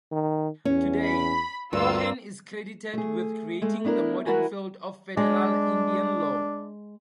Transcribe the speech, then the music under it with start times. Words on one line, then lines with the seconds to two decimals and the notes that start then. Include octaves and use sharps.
Today, Cohen is credited with creating the modern field of Federal Indian Law.
0.12 D#3
0.65 E2 C#4
1.02 B5
1.73 D2 G2 A#3 F4 E6
2.93 A3 G#4
3.62 G#3 A3
3.85 B3 D4 E4 A#4
4.26 E3 E4 F#4 A#4 B4 G#5
5.17 G#3 D4